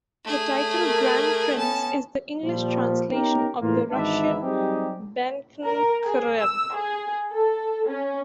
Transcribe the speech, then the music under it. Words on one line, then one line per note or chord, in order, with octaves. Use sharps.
The title "Grand Prince" is the English translation of the Russian "Великий князь".
A3 G#4
A#4
B3 C#4 A5
A#2 F3 G3
B3 C#4 D#4 G4 A#4
A2 C#3 E3 A#3 F4
G#1 G#2 E3 D4 E4 E5
F#3 G3 C4 D#4 G4 G#4
A#4
G#4
E6
G#4
A4
C#4